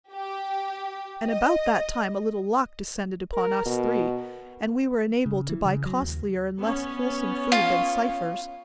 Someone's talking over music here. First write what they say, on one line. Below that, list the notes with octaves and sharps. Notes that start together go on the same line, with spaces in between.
And about that time a little luck descended upon us three, and we were enabled to buy costlier and less wholesome food than Cypher's.
G4
D#5
A#4
B2
C#3
E3
C#3
F#3
D#2
B3 C#4 C#5
F4